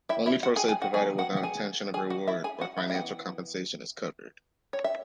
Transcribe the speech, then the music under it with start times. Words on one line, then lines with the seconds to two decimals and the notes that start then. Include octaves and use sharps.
Only first aid provided without intention of reward or financial compensation is covered.
0.09 E4 E5
0.26 E4 E5
0.43 F#4 F#5
0.56 G#4 G#5
0.68 G#4 G#5
0.82 F#4 F#5
0.93 F#3 G#4 G#5
0.97 B3
1.18 F#4 F#5
1.37 F#5
1.43 G#4 G#5
1.94 G#4 G#5
2.10 F#4 F#5
2.27 E4 E5
2.44 G#4 G#5
2.61 F#4 F#5
2.77 E4 E5
2.90 E5
2.94 B3 F#4 F#5
2.99 E3
4.73 C#5
4.84 E5